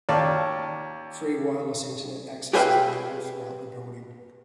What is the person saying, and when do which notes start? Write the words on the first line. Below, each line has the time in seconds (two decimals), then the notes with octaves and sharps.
Free wireless Internet access is available throughout the building.
0.09 D#2 C#5 D5 F5 A5
2.53 G4 G#4 B4 E5 F5 G5